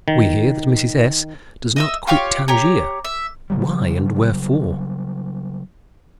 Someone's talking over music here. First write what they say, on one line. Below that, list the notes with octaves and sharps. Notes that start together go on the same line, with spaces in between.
We hear that Mrs. S. does not quit Tangier: why and wherefore?
D#3
D#5 E5 E6
F4 G4 C#5 F6
G4 C#5 A#5
E5
C#3 F#3 G3